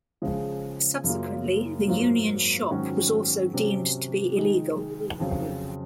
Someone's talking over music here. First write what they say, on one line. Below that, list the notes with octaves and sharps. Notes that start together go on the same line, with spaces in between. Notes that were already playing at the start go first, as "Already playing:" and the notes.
Subsequently, the Union Shop was also deemed to be illegal.
C#3 F3 G#3
F#2 C#3 F#3 A#3 F4
G#2 F#3 A#3 F4
G#2 D#3 F#3 C#4 F#4
C3 F#3 C#4
D#3 G#3 D#4 G#4
F2 C#3 F#3